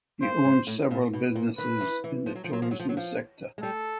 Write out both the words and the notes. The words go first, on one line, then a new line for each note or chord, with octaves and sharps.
He owns several businesses in the tourism sector.
G2 C5
G#2
A2
A#2
B2
A#2
D#3 B4
E3
E3
F3
F#3
F3
F#3
F3
F#3
F3
F#3
F3
G#3
G3 A4